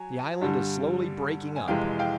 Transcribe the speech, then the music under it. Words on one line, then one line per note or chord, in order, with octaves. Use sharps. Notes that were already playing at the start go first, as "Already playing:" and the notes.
"The island is slowly breaking up."
Already playing: F#3 G#5
G2 D3 G3
G#5
F2 C3 E3 G#3 F5 G5
F5 G5